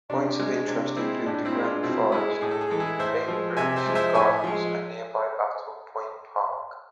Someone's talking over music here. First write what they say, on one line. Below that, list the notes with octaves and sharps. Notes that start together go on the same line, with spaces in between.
Points of interest include the Grand Forest, Bainbridge Gardens, and nearby Battle Point Park.
C3 D4
G#3
C3 D4
G#3 C4 E4
A2 D4
C4 E4
G#3
D4 F4
B2 C4 E4
G#3 E4 G#4
A2 G#4
A4
G#4
E3 G#3 A4
E4 G#4
A2 C5 E5
F3 G#3
C3 E5 G#5
C5 E5
F3 G#3
C5 E5
A2 E5 G#5
F3 G#3